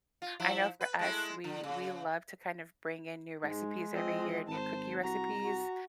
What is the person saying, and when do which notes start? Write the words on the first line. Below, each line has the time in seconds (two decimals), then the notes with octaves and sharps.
I know for us, we we love to kind of bring in new recipes every year, new cookie recipes,
0.22 F4
0.40 F3 E4
0.81 B4
0.99 G#3 A3 E4
1.44 D3
1.63 C#3
3.43 G#2 G#3
3.93 F3 C4 D#5
4.48 G#1 C5 A5
5.03 C2 F#4 A#5
5.42 F#4